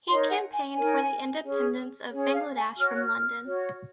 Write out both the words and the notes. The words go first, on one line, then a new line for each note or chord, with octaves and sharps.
He campaigned for the independence of Bangladesh from London.
D#4 A#4 C#5 C6
F#5
G#5
D#4 A#4 C#5 G#5
C#4 G#4 C#5
C#4 G#4 C#5
F5
G#5
F#4 C#5 F6
F#6
F6
F#4 C#5